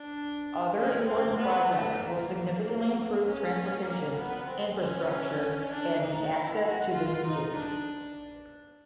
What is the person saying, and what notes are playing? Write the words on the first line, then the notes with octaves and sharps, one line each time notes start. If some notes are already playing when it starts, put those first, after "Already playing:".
Other important project will significantly improve transportation infrastructure and the access to the region.
Already playing: D4
C#4
C4
B3
A3
A#3
C#4
A#3
B3
C4
C#4
D4
D#4
E4
F#4
F4
D#4
D4